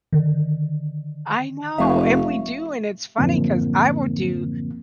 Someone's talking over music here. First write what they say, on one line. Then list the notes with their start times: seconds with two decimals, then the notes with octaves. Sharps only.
I know, and we do, and it's funny 'cause I will do,
0.13 D3 D#3
1.78 F1 E5 F5 C#6
3.18 F#2 A2 D3 F3 A#3 C4